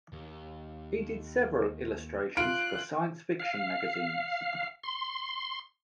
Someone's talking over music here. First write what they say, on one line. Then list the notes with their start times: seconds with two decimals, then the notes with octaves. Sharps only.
He did several illustrations for science fiction magazines.
0.13 D#2
2.37 F4 F#6 D7
3.40 F5
4.83 C6